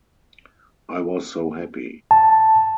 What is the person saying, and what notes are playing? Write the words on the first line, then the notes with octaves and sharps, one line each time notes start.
I was so happy.
A5